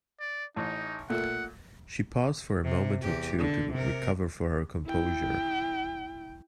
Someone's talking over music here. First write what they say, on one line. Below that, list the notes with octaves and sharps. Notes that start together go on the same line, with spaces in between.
She paused for a moment or two to recover her composure.
D5
A1 D#4
A#2 A3 F#5
C3
E2 G4
D3
C3 A#4
E4 G5